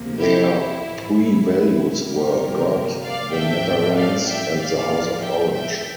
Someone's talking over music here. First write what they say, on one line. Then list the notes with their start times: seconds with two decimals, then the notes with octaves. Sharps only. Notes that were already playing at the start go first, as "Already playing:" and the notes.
Their three values were "God, the Netherlands, and the House of Orange".
Already playing: D2 C3 F3 A#3
0.19 E4 G4
0.51 E4
0.82 A1 G2 E3
1.14 E4
2.07 G1 F2 C3 G3 A#3 G4 A#4
3.02 D5 F5
3.33 A1 A2 F3 A3 D4 E5 G5
3.96 D5 F5
4.27 E5 G5
4.58 A#1 A2 F3 A#3 D5 F5
5.21 E5 G5
5.53 E5 G5